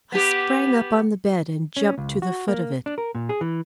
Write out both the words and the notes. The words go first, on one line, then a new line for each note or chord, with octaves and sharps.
I sprang up on the bed and jumped to the foot of it.
B3 G4
C#4
C#2
F#4
A#3
D4
A#4
A#2
G#4
E3